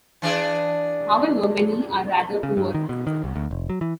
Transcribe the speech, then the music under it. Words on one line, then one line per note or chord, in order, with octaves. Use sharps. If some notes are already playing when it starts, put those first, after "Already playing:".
However, many are rather poor.
E3 D4 G#4
C#3
G2
D#3
B2
D#3
C2
D2
F1
F#3
E3